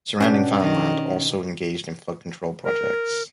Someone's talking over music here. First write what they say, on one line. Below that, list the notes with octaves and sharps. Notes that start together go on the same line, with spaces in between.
Surrounding farmland also engaged in flood control projects.
B2 C#4 D4 G4
D#3
A#4